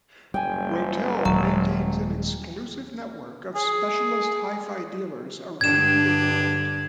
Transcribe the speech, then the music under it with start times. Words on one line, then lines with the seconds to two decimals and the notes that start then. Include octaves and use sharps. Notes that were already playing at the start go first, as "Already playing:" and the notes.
Rotel maintains an exclusive network of specialist hi-fi dealers around the world.
0.34 F#1 G3 G5 G#5
1.25 D#1 F#3 G#3
3.56 G#4
5.61 G2 D3 D4 G#6 E7